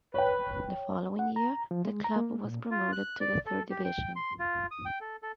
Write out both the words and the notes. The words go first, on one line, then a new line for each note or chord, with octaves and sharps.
The following year, the club was promoted to the Third Division.
B4 C#5 G5
F#5
A#5
F3
G#3
A#5
A#3
A#2
F4
F#6
D5
A4
G4
G5
C6
F4
D#6
G5
A4
A4